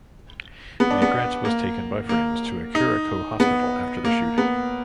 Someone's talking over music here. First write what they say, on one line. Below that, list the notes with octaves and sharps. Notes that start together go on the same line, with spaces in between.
Negrete was taken by friends to a Curico hospital after the shooting.
B3
D4
B3
A#3
A#3
D#4
B3
A#3
B3